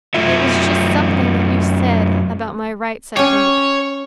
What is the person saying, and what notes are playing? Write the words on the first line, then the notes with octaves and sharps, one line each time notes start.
It was just something that you said--about my rights, I think.
F#2 A3 F4 E5
C#4 G4 C#5